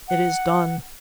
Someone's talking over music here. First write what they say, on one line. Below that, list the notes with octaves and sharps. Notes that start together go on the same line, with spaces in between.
It is done.
F#5